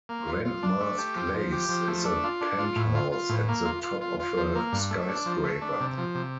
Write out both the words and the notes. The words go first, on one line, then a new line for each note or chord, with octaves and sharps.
Grandma's place is a penthouse at the top of a skyscraper.
A#3
F4
F4
D4
A3
G4
F3
F3
G4
F3
A3
D4
F4
D4
F4
A2
F4
F4
A2
A#3
F4
F4
F4
F4
F3
A#3
G2
A3
D4
F3
A3
D4
C3
F3
C3